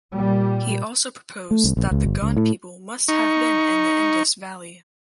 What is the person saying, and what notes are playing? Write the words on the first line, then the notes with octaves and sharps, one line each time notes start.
He also proposed that the Gond people must have been in the Indus Valley.
A#2 G3
A3
C2
A#1
C#2
G1
C#2
A2
D#4 C#6